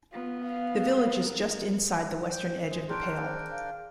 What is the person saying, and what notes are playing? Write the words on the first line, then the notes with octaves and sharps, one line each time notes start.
The village is just inside the western edge of The Pale.
B3 F4
F5
A#4
C5 G5
G#3
D4 G#4 A#4 G5 C6 D7
C5
F5